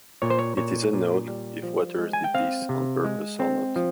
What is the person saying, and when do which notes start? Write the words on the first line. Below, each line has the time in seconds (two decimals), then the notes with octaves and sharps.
It is unknown if Waters did this on purpose or not.
0.22 A#2 C#5
0.30 C5
0.39 C#5
0.57 A#2 C#5
0.93 A#2
1.28 G3
1.63 F3
1.98 G#3
2.13 G#5
2.24 G5
2.34 C4 F5
2.69 C3
3.04 G#3
3.40 C4
3.76 F3